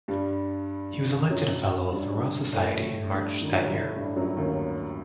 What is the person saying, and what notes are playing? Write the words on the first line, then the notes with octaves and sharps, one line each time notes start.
He was elected a Fellow of the Royal Society in March that year.
G2 G3
F#2 F#3
G2 G3
A2 A3
G2 G3
D#3
F#3
G3
A2 A3
G2 G3
F#2 F#3
D#2 D#3